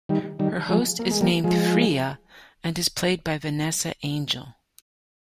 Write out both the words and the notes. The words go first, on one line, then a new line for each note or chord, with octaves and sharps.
Her host is named Freyja, and is played by Vanessa Angel.
D#3 G3
D#3 G3
F3 G#3
A#3
G#3
G3 A#3
F3 G#3